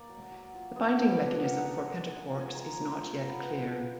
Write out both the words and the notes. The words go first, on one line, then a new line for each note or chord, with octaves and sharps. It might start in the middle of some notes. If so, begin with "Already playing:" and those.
The binding mechanism for pentaquarks is not yet clear.
Already playing: A#3 D5
F#3
F#3
F4
B3 D#5
D5
F3
B4
F3 G#5
F#5
D#4 F5
F#5
D4
G#3
G#3 G#5
F4
G#5
G#3 A#5
F3
F4 G#5
A#5
B3
B5
B3
F3